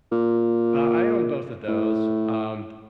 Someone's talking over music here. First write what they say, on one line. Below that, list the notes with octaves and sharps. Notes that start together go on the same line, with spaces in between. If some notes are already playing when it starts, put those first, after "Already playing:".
Uh, I own both of those. Um,
A#2
A2